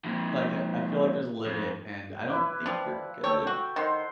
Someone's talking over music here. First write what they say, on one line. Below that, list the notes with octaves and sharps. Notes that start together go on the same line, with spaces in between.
like, I feel like there's a limit and I don't think we're gonna
F2 A#2
F2
E4 B4 D6
F3 G3
A4 C#5 G5 E6
F#4
D#3 C5 F#5 C6